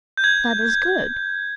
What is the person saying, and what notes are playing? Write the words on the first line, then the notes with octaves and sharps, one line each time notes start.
"That is good."
G6
G#6